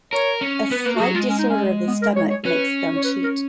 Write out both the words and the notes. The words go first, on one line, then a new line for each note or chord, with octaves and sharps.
A slight disorder of the stomach makes them cheat.
A#4 C#5
C#4
B3 B4
A#3 B4
F#4
F#3 G#4
G#3 F4
C#4
D#4
C#4
B3
A#4
C#5
C#5
C#4 B4
C#5
B4
A#4